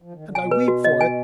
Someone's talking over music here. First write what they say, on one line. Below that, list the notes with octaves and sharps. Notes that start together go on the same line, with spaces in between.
And I weep for it!
F3
D#3
D3
B2 G#5
B4
F#4
D#5
G#5